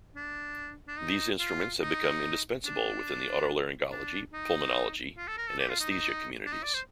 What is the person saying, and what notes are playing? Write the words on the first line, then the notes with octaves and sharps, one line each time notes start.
These instruments have become indispensable within the otolaryngology, pulmonology and anesthesia communities.
D4
D4
D#4
F4
D#4
D4
D4
D#4
F4
A4
A#4
A4
G4
F4
D#4
D#4
D4
D#4
D5
C5